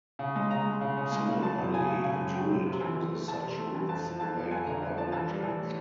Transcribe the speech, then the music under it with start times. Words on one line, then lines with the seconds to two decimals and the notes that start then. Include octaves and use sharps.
Similarly, a druid uses such woods to make other objects.
0.19 C#3
0.36 G#3
0.51 C#3 A#5
0.66 G#3
0.81 C#3
0.97 C#3
1.12 G#3
1.28 C#3
1.43 F#3 A5
1.58 F#2
1.74 C#3 G#5
1.90 C#3
2.04 C#3 G#5
2.20 F#2
2.35 F#3 G5
2.51 F#2
2.66 C3
2.81 E3
2.96 E3
3.12 A3
3.28 E3 A5
3.43 C3
3.58 A3
3.75 E3
3.89 F2 A5
4.05 F3
4.20 F2 A5
4.35 F3
4.51 F2 G#5
4.66 D3 A#5
4.83 F2
4.97 F3 A5
5.12 E3 A5
5.28 G3
5.44 E3
5.59 A2